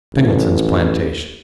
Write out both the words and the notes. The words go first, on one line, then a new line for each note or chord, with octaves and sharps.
Singleton's plantation.
A1